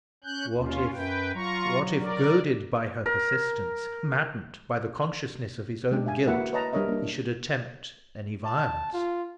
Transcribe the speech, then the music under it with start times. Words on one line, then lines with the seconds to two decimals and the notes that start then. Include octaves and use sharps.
What if--what if, goaded by her persistence, maddened by the consciousness of his own guilt, he should attempt any violence.
0.24 C#4 F#6 G6
0.56 D#2 C#4 F4
0.93 F#2 B4 G5
1.35 F#3 F4 A#5 C#6
1.98 A#4 D5
3.06 A#4
5.92 G#3 D4 G4
6.06 E5 F5 G#5
6.27 A#3 E4 F#4 B4 E5 F#5
6.53 B4 C#5 D#5 A5 A#5
6.73 G3 D4 A#4 C#5 D#5 E5
6.88 A#3 D4
8.45 A5
8.93 F4